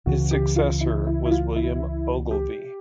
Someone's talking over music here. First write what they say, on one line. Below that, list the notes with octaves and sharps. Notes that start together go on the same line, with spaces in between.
His successor was William Ogilvie.
C#2 C#3 E3 F#4
G4
F4
E4
E4
E4
F4
E4
G4